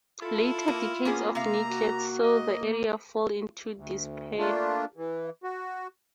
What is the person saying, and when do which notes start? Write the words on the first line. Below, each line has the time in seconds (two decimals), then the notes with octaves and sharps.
Later decades of neglect saw the area fall into disrepair.
0.22 E4 F4 A4
0.68 A#3
1.05 A#3 B3 C#4 G#4
1.35 C3 F5 A#5
1.66 F#4
2.23 D#5
3.76 D2
4.38 A3 A#3 D4 F4
4.97 E3
5.43 F#4